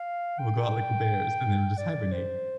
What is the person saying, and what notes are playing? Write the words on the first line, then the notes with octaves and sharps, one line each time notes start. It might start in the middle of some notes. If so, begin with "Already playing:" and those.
We'll go out like the bears, and then we'll just hibernate.
Already playing: F5
G5
D5
C5